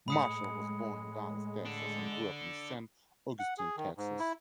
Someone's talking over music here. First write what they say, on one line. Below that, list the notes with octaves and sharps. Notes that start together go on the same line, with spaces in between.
Marshall was born in Dallas, Texas and grew up in San Augustine, Texas.
A2 G#3 B5 D#6 C#7
D4 A4
F#5
G#4
D#3
G#2
E4